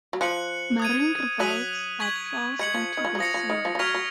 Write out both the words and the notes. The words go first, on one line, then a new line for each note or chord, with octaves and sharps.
Marin revives, but falls into the sewer.
F#3
F3 F#6 C#7 F#7
D#6 G#6 D#7
F#3 D#6 F#6 B6 D#7 F#7
C#6 G#6 B6 F#7
G#3 G#6 C#7 F#7
F3
D#3
F3
F#3
F3 D#6 A#6 C#7
F3
D#3
F3
F3
F#3 C#6 F6 G#6 B6 F7
F#3